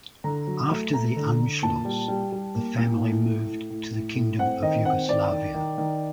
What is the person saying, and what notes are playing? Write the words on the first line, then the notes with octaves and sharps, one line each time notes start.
After the "Anschluss", the family moved to the Kingdom of Yugoslavia.
D3 A#5
F#3
A3
A3 A#5
D3
D3
A#2 A5
G3
G3
G3
A#3
A#2
A2
A2
A2
A2
A2
A2
C4 F#5
D#3 D#5
C4 F#5
D#3 D5
D#3
D#3
D#3